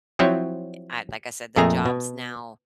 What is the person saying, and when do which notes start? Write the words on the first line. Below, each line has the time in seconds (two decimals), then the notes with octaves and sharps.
I like I said, the jobs now
0.19 F3 F#3 C4 E4 C#5
1.56 F2 A#2 A3 G#4 G#5 A#5
1.86 B2